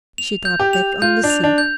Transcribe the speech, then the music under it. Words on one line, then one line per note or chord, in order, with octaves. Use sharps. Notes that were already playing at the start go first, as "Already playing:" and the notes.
She dropped back on the seat.
F7
G6
G4
F7
F4 G6
D4
F7
D4
G6